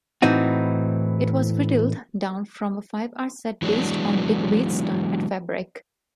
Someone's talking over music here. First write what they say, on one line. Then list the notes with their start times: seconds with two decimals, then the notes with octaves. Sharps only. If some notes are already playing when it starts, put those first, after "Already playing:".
It was whittled down from a five-hour set based on Digweed's time at Fabric.
0.22 A2 E3 C4 D#4 F#4
3.62 E3 F#3 G#3 B3 D4